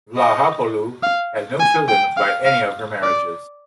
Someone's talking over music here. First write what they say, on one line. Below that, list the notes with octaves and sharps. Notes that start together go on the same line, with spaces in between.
Vlahopoulou had no children by any of her marriages.
D#5
F5
G#5
G5
F5
F5
D5